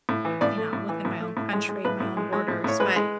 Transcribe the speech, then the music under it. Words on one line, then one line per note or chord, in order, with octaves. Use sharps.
you know, within my own country, my own borders, but
A2
E3
A2 D5
A3
A2
E3
A2
A3
A2
G#3
G#3
A2 B4
A2
G#3
G#3
A2
A2 C#5
G#3 B4
G#3